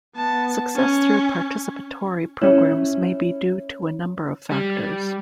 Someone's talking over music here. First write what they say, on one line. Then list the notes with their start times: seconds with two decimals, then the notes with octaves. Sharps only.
Success through participatory programs may be due to a number of factors.
0.16 B3 A5
0.75 C#4
2.42 C#4 E4 C#5
4.51 G3